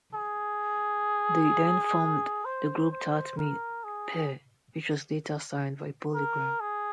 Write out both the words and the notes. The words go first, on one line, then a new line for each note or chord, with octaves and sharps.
They then formed the group Tat Ming Pair, which was later signed by Polygram.
G#4
C5
C5
A#4
G#4
A#4
G#4